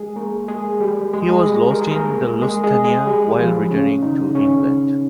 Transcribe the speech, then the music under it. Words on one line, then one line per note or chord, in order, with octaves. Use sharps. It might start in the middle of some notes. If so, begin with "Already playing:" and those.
He was lost in the "Lusitania" while returning to England.
Already playing: G#3 G#4
A#3 A#4
G#3 G#4
G3 G4
G#3 G#4
G#3 G#4
G3 G4
A#4
G#4
A#3 A#4
G#3 G#4
G#3 G#4
G#3 G#4
G3 G4
F3 F4
C#3 C#4
D#3 D#4
C#3 C#4